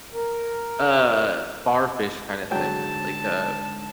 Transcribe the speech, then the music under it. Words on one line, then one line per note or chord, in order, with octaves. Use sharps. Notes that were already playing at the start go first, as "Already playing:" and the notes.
uh, bar fish kind of thing, like, uh,
A#4
G#2 D3 F#3 G5 A5